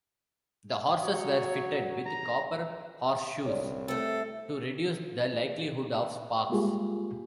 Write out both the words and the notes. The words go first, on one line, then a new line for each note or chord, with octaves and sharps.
The horses were fitted with copper horseshoes to reduce the likelihood of sparks.
F#3 C#5
A#5
C2 C#5 D5
A3 C4 A4
G3 G#3 A#3 F4 G4 G#4